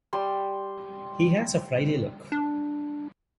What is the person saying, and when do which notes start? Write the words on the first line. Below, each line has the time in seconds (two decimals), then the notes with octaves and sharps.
He has a Friday look.
0.13 G3 C6
2.32 D4